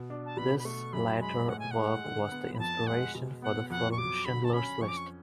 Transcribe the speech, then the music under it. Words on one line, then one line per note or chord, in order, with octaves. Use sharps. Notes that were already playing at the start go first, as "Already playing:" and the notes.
This latter work was the inspiration for the film "Schindler's List".
Already playing: B2
D4
A5
B2 B5
B5
A3 C#6
F#2 B5
G#3 B5
A2 F#5
G#5
F#5
G#3
D3
B3
B5
F2 A5
G#3 F#5
B2
B3 F#5
F2 F#5
C#6
F#3 D6
D3 B5
A5
C#4 B5
F2 C#6
D6
C#6